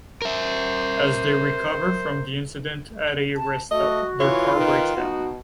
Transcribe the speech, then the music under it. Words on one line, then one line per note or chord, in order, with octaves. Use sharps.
As they recover from the incident at a rest stop, their car breaks down.
A#4 C5 E5
A5
A3 F#4 D#5
E3 F4 C#5
D#3 D#4 B4
B2 D#4 F#4